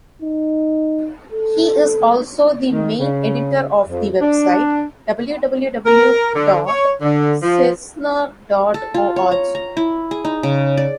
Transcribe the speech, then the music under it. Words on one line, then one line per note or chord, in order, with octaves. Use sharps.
He is also the main editor of the website www dot cesnur dot org.
D#4
A4
D#3
C#3
F2
D4
A#4
D3
C#5
D3
F3
A4
F4
C#5
A#5
A#5
E4
G#4
D#4
C#3
D5